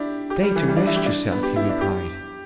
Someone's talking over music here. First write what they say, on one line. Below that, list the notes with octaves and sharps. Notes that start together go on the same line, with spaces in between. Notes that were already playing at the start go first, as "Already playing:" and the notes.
'Stay to rest yourself,' he replied.
Already playing: D4 E4 G4
G4
G3
E3
G3
D4
E4
G4
D4
B3
G4
E4
D4
G4